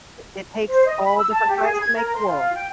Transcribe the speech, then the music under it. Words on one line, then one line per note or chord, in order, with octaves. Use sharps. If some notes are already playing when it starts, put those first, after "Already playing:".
it it takes all different kinds to make a world.
C5
D#5
B5
E6
A5
G4
G#4
G#6
A#4
C6
F4
G5